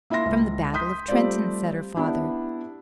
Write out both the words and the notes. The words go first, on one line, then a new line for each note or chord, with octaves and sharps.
"From the battle of Trenton," said her father.
A#3 E4 E5 C6 A#6
C#2
C6 D#6 G6 B6
G3 A3 C4 F4 D5
B3 D4 E4 G4